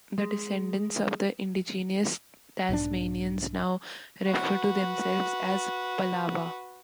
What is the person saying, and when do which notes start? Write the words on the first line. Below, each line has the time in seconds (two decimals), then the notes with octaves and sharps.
The descendants of the indigenous Tasmanians now refer to themselves as 'Palawa'.
0.18 G#3
2.69 B1 G#2 D#3 D4
4.25 F#4 B4